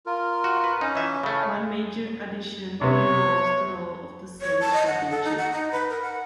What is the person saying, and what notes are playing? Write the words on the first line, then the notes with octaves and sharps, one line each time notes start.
One major addition involves the role of the Sage Dadhichi.
F4 A#4
F#4
B4
C#4 D#4
E3 E5
C#3 A3
C3 B3 C#5
C#5
A5
D#5
F#5
A4
D#4
F#5
D#4
B4
A#4
F#5